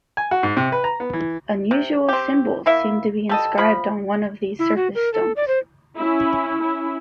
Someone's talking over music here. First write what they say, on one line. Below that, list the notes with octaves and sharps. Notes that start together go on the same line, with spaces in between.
Unusual symbols seemed to be inscribed on one of these surface stones.
G#5
F#4
G#2
C3
B4
A#5
B3
E3
C3
C4 G4
A#3 E4 E5
G3 A4 D#5
F3 B5
E4
F#4
A#4
A4
D5
C5
C#4 E4
C#4 E4